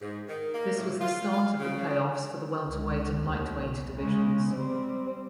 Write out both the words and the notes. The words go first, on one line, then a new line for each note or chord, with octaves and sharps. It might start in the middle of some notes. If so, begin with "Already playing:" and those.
This was the start of the playoffs for the Welterweight and Lightweight divisions.
G#2
D#3
A#3
A2
F4
F5
C#3
C#2
D#2
C2 B2
C#3 G#3
G3 C4